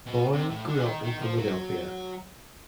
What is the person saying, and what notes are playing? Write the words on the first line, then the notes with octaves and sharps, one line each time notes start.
Boyle grew up in Philadelphia.
B2
C3
A2
D3
E3
D#3
D#3
F3
F#3